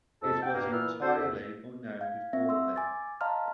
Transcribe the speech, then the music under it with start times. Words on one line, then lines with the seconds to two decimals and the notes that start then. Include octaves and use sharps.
It was entirely unknown before then.
0.22 F2 G#2 A4
0.42 F#5 G5
0.54 G2 A#3
0.71 A#2 E3 B3 E6 F6
1.01 C4 F#4 A4 C5
1.17 E2 E5
2.01 F5 G#6
2.33 C4 E5 A#6
2.49 C6 E6
2.76 G#5 D6 A6
3.21 D#5 F5 A5 A#5 C6 F6